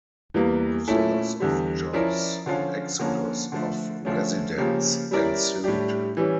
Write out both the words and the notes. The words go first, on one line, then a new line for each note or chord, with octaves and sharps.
With the loss of jobs, an exodus of residents ensued.
E2 E3 G3 A#3
A#2 A3 C#4 E4 A4
E2 D3 G3
F3 C#4 E4 A#4 D5
D3 F3 C#4 F4
D3 F3 A#3 C#4
D3 F3 A3
D3 F3 A3 C#4
C#3 F3 A#3 C#4 G4
G3 C#4 E4 A#4 D5
A2 G3 D4 G4
E3 G3 C#4